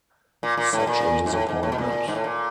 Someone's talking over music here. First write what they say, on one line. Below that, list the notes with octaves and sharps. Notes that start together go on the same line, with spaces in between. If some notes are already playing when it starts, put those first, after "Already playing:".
Such a disappointment!
A#2
A#2
A2
A#2
G#2
A2
G#2
A2
B2
A#2
G#2
A2
A#2